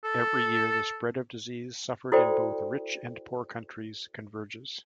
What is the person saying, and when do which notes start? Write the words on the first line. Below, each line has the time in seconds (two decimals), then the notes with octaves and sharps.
Every year, the spread of disease suffered in both rich and poor countries converges.
0.04 A4
2.12 E4 F#4 A4 C5 D5 G5